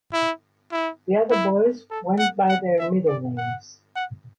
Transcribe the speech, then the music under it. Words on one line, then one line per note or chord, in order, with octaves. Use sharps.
The other boys went by their middle names.
E4
E4
E4
A4
F#5
F#5
E5
D5
F#5
F#5